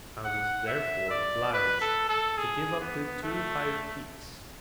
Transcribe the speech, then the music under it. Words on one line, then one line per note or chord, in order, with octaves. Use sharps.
I was therefore obliged to give up the two higher peaks.
F#5
E5
D5
B4
A4
A4
G#4
B3
A3